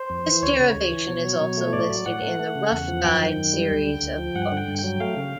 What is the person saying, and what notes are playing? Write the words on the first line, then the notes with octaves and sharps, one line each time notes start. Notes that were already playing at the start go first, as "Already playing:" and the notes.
This derivation is also listed in the 'Rough Guide' series of books.
Already playing: C5
F2
E3
D2 C#5
C#3
D2
E3
B2
F#3
B2
A3
A2 D5
F#3
A2 F#5
A3
A3
C#3
E2
F3
F#2 G5
D#3
F#2
G3
D2
D3
D2
F3
G2 F#5
D3
G5
G2
G5
F#3
A3 F5
C#3